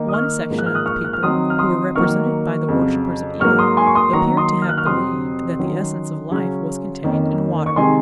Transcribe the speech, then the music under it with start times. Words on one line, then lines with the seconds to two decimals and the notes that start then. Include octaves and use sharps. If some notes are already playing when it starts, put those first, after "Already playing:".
One section of the people, who were represented by the worshippers of Ea, appear to have believed that the essence of life was contained in water.
Already playing: D#3 A#3 D#4
0.08 D#6
0.13 C#6 F6
0.50 G#2 F3 A#3
0.59 F#6
0.66 F6
0.75 D#6 F#6
0.86 C#6 F6
1.04 F#6
1.13 F6
1.23 D#3 F#3 C4 D#4 C6 D#6
1.50 F6
1.58 C6 D#6
1.95 D#3 F#3 A#3 D#4 C#6 F6
2.68 F2 C#3 F#3
3.40 G#2 F#3 A#3 C#6 F6
3.59 C6 D#6
3.77 G#5 C6
3.87 C#6
3.95 C6 D#6
4.13 D#3 F#3 A#3 A#5 C#6
4.37 C6 D#6
4.62 F6
4.69 F#6
4.77 C#6 F6
4.86 F2 C3 F#3 C4 C6 D#6
5.59 D#3 F#3 C#4
6.31 C#3 F#3 C#4
7.04 F2 D#3 A#3 C#4
7.66 C#6
7.76 C3 D#3 G#3 D#4 G#5 C6